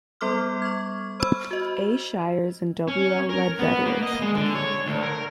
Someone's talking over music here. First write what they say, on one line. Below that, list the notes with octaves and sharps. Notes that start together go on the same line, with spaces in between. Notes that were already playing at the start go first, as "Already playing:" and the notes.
A. Shires, and W. L. Ledbetter.
G3 B3 A4 C6 D6 F6
C#6 G#6
C5 B5 E6 F6
F#4 D#5
C#4
A#4
B3
A#3
D#5
G#3
D3
C#5
D2
A#4